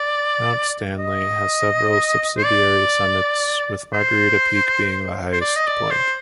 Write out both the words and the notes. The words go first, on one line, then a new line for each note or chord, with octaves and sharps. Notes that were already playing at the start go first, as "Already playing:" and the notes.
Mount Stanley has several subsidiary summits, with Margherita Peak being the highest point.
Already playing: D5
D#5
C5
D5
C5
C5
D5
D#5
D5
C5